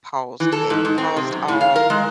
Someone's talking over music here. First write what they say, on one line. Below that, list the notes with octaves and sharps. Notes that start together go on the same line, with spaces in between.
paused it paused all
E3
A4
G#2
G#2
C4
C3
F#2
A2
F5
A#4
G#3